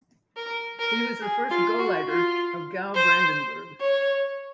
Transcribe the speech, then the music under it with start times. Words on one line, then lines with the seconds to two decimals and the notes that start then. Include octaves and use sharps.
He was the first "Gauleiter" of Gau Brandenburg.
0.37 A#4
0.79 A#4
1.22 G#4
1.51 F4
1.79 F#4
2.08 F4
2.94 C5
3.80 C#5